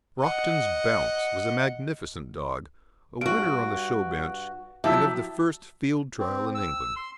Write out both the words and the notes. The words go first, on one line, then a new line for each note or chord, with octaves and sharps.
Brockton's Bounce was a magnificent dog, a winner on the show bench, and of the first Field Trial in England.
D#5 F#5
G2 F#4 D7
F3 F#3 E4 G4 E5 A5 E6
C4
E6
C6